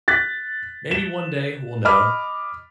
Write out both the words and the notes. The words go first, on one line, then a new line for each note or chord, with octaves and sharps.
maybe one day we'll know.
F#6 A6 B6
E7
D#5 B5 D6 F6